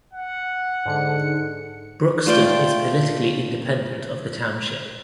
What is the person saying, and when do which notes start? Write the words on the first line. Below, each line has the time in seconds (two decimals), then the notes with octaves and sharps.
Brookston is politically independent of the township.
0.14 F#5
0.85 G#2 D3 C#7
2.26 A3 F4 D5 G5